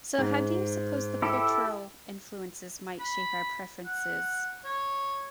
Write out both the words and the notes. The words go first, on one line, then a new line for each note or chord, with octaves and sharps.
So how do you suppose the cultural influences might shape our preferences
G#2
E4 G4 A4
B5
F#5
C#5